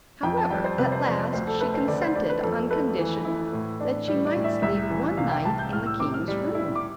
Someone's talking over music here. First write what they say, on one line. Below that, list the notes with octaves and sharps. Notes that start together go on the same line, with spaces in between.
However, at last she consented on condition that she might sleep one night in the king's room.
F2 G5
A5
G3 G5
C5
C3 B4
C5
F2 D5
D5
D2 C5
A4
A3 B4
C5
D3 D5
C5
D2 D5
B4
F2 A4
A3 B4
E3
E4
A2
D4
G3
D5
A2
E5
C2 E5
E3
C3 F5
G5
C2 A5
G6
A2 F6
E6
C4 D6
F6
G3
E4
D6